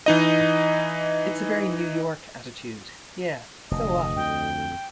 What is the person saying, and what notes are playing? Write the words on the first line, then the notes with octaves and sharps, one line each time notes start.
It's a very New York attitude: 'Yeah, so what?
E3 D#4 D#5
F1 D2 D#5
F2 G5